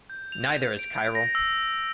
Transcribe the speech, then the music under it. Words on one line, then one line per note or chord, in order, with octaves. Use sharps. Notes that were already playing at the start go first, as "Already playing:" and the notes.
Neither is chiral.
G6
F7
D7
A#6
E6